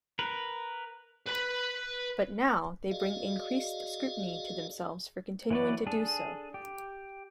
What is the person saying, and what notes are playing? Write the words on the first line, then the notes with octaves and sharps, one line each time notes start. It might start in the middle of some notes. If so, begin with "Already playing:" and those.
But now they bring increased scrutiny to themselves for continuing to do so.
A#4 B4
B4 B5
F#4 G#4 D5 D#5 F5
E3 F#3 B4 C#5 D5
D4 G#4 A4
G4